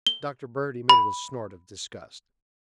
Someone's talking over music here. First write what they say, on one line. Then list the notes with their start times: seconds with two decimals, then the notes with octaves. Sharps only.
Dr. Bird emitted a snort of disgust.
0.07 G7
0.89 B5